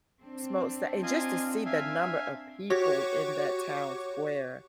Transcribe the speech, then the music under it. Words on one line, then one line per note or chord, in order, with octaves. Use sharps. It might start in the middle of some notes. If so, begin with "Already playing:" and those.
smo that and just to see the number of people in that town square.
C4 D4
F4 D#5 G#5
E5 F5 G#5
F#4 G4 C#5 C#6 D6